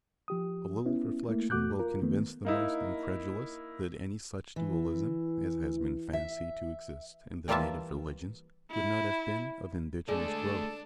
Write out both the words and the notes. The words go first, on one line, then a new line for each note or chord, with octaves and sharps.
A little reflection will convince the most incredulous that any such dualism as has been fancied to exist in the native religions, could not have been of indigenous growth.
F3 G4 D#6
B3 C#4 E4
A3 A#3 E4
E2 A3 F#4 D6 F#6 G6
F4 A#4
D#3 A3 B3
A#3 D#4 E4
E3
E5
E3 G3 A#3 F4 E5 A5
E4
G#3 A3 D4 A4 D5